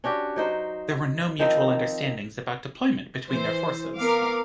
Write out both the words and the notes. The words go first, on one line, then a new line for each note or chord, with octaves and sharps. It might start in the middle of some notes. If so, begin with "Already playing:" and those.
There were no mutual understandings about deployment between their forces.
C#4 D4 F#4 G4
F#3 D#4 C5
D#3 F3 C4 D#4
E3 C5
B3 A#4 F5 D6